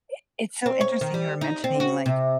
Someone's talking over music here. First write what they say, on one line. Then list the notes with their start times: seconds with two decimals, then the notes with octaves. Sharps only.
I it's so interesting you were mentioning, like,
0.66 C4
0.81 C#5
1.01 D#3
1.14 G3
1.41 D#4
1.64 C4
1.80 F#4
2.06 C3